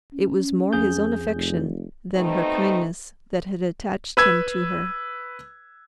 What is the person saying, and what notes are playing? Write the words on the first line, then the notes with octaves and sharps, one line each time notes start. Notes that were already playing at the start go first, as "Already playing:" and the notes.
It was more his own affection than her kindness that had attached him to her.
C#4
F2 G#4 G6
F1
B2 A3 C4 D#4
B4 E6 G#6